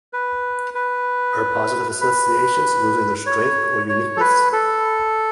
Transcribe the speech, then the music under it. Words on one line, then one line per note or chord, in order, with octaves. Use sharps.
Are positive associations losing their strength or uniqueness?
B4
B4
B4
C#5
C#5
A4
B4
A4